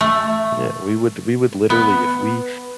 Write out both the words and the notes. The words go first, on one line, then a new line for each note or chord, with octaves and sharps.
Yeah, we would we would literally if we
A3
B3